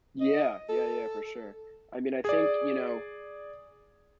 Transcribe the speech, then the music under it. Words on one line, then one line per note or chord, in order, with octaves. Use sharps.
Yeah. Yeah, yeah, for sure. I mean, I think, you know,
D#5
A4
G#4 D5